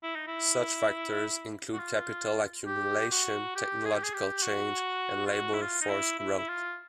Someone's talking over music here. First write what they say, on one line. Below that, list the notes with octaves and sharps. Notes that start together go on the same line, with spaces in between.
Such factors include capital accumulation, technological change and labour force growth.
E4
D#4
E4
F#4
F4
G4
F#4
G4
G#4
G4
G#4
G4
F#4
F4
F#4
E4
F4
D#4
E4
E4
E4
F4